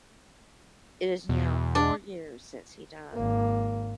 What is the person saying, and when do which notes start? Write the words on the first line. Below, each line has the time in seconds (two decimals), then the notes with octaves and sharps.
It is now four years since he died.
1.29 E2 B2
1.75 D4
3.14 G#1 A#3